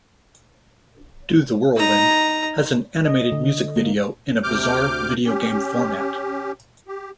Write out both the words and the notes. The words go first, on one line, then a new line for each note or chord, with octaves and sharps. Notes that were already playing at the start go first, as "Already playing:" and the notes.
"Do the Whirlwind" has an animated music video in a bizarre video game format.
D#4 A#5
D#5
D3
A#3
D2 C3 D6 F6 G6
C#4 G4
G4